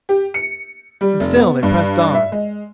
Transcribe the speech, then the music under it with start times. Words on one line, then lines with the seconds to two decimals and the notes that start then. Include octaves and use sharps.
And still they pressed on.
0.09 G4
0.34 C#7
1.01 G3
1.20 F1
1.36 B3
1.63 G2
2.14 E5
2.32 G#3